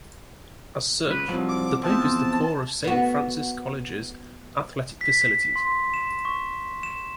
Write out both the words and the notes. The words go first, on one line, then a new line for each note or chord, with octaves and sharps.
As such, The Pope is the core of Saint Francis College's athletic facilities.
C#2 B4
C2 F3 F#3
D6
E2 F3 C4 A5
B3 F#4
B6
C6
E7
C#6
E7